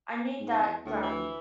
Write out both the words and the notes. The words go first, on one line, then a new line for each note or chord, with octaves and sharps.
I need that Grammy.
G#2
E2
D2 A2
E3